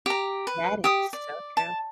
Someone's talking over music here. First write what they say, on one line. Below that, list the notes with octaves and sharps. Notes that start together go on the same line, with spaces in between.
That is so true.
G4 A#5
B4
G4 D#6
D5
A5